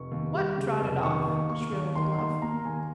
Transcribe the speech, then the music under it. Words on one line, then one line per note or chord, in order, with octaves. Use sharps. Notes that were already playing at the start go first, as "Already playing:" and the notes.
"What trotted off?" shrilled Bluff.
Already playing: F1 C#6
D#2
G3
C#3
F1
D#3 C#6
D#2
A#3 C#6
D#2
D#3 C6
D#2 C6
A#3 A#5
D#2 G#5